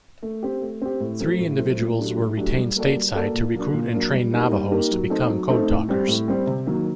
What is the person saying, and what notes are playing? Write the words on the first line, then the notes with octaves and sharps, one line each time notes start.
Three individuals were retained stateside to recruit and train Navajos to become code talkers.
A3
C4 G4
A3
C4 G4
A2
F#3 A3 C4
A2
F#3 A3 C4
A2
F#3 A3 D4 G4
A2
F#3 A3 D4 G4
G3
A#3 F#4 A4 D5
G3
A#3 F#4 A4 D5
A#2
F#3 A#3 D4
A#2
F#3 A#3 D4
G3
A#3 D#4 G4 A#4
G3
A#3 D#4 G4 A#4
F#3
A3 C4 D#4 A4
F#3
A3 C4 D#4 A4
A2
G3 C4 G4
A2
G3 C4 G4
C3
D#3 F#3 A#3